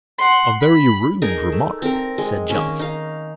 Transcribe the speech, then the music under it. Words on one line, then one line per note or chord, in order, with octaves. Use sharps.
"A very rude remark," said Johnson.
F#5 C6
B5
D#4 G#4 A#4
A3
C4 A#4
G#3
D#3 A#3 C#4
D#4 F5